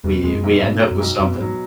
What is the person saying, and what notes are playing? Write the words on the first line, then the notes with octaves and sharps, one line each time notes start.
we we end up with something.
E2 B2
E2 G#3
F#2
B1
G#2 B2
F#3
F#2
B1
F#2 B2
G#2 F#3